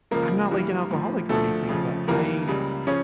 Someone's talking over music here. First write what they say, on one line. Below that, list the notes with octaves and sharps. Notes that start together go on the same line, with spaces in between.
I'm not like an alcoholic or anything, but I
C#2 C#3 F3 A#3 A#4
G2 E3 G3
A2 F3
D2 D3 F3 A3 A4
F2 C#3 F3
F2 E3 G3 A#3 A#4
C#2 C#3 G3
C#3 F3 C#4 C#5